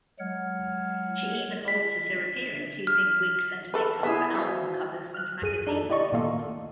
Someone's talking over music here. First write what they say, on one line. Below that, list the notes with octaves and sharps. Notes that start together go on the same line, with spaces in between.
She even alters her appearance using wigs and make-up for album covers and magazines.
F#3 G#3 F#5 F6 G#6
B6
F6
A4 B4
B3 E4 G#4 E5 A#5
E3 F3 F#4
F6 F#6
F#2 G#4 D#7
D4 D#4 A4
E4 G4 D5 D#5 C#6
A#2 D#3 A3 A#3 F4 A4